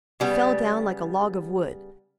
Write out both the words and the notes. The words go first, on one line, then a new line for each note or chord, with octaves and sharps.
He fell down like a log of wood.
C#3 G3 B3